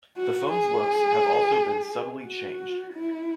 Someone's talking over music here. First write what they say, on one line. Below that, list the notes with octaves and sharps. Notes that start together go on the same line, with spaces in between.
The phone's looks have also been subtly changed.
F#4
G#4
F#4
E4